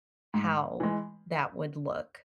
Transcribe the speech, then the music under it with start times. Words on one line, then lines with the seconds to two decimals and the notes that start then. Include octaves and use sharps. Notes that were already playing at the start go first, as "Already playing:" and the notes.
how that would look.
0.34 G#2
0.80 E3 G#3